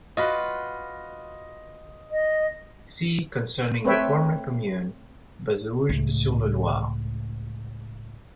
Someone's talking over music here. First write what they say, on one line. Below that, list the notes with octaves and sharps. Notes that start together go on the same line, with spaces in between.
See concerning the former commune Bazouges-sur-le-Loir.
F4 F#4 B4 D#5
D#5
A3 C4 B4 C#5 E5 G5
C#2 A2